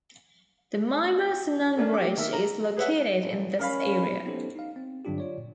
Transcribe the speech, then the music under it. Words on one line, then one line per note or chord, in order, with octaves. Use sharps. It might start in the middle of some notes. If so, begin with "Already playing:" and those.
The Mimar Sinan Bridge is located in this area.
A3 A#3 C#4 D4
G4 D6
D#3 A#3 E5
A#5
G#4 B4 C#5 E5 F#5
A1
C#4 A#4 F5 B5
B3 C#4 D#4 G4 A4 C5
D#4 F5
C4
G2 D3 F#3 D4 F4 G4
F4 C#5 D5
A#2